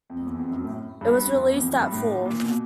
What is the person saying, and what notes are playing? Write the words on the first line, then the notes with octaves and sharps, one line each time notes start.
It was released that fall.
F2
E2
F2
F#2
A2
G2
F2
F2
E2
F2
G2
A2
A#2
A#2
B2